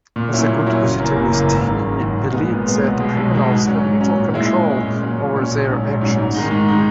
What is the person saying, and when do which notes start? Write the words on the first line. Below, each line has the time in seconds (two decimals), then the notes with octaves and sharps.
As a good positivist, he believed that criminals have little control over their actions.
0.16 A#2
0.32 F#3 C#4 E4
0.49 A#2
0.66 F#3 C#4 E4
0.82 F#1
0.99 F#2 E3 A#3
1.16 F#1
1.32 F#2 E3 A#3
1.50 G#1
1.66 F#2 D#3
1.82 G#1
2.00 F#2 D#3
2.17 A#2
2.34 G#3 B3
2.50 A#2
2.66 G#3 B3
2.83 B1
3.00 B2 G#3
3.17 B1
3.34 B2 G#3
3.51 G#2
3.68 F#3 C#4
3.84 G#2
4.01 F#3 C#4
4.17 A#2
4.34 G#3 C#4 E4
4.51 A#2
4.67 G#3 C#4 E4
4.85 A#2
5.01 F#3 C#4
5.18 A#2
5.35 F#3 C#4
5.51 A#1
5.68 G#2 F#3 C#4
5.85 A#1
6.01 G#2 F#3 C#4
6.18 G#2
6.35 D#3 G#3 D#4
6.51 G#2
6.68 D#3 G#3 D#4